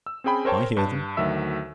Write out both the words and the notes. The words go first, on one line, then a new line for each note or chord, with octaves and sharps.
I hear them.
E6
C4 C#4 G#4 G5 B5
A#4 C5 C#5 G5 A5
G2 A5
D2 D#3 F#3 E5 E6